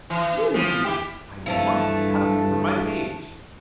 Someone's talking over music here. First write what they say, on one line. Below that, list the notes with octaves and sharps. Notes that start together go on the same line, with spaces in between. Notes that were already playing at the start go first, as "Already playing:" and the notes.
Really, dear, I must have him for my page.
E3
E3 F3
E4 G4
G2 E3 F3 A3